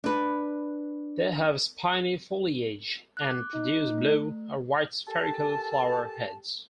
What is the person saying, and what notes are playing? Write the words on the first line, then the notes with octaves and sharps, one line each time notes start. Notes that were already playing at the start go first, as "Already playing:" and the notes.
They have spiny foliage and produce blue or white spherical flower heads.
D4 B4
D6 F#6
D#4
A3
G4 A4 A#4 G#5 A5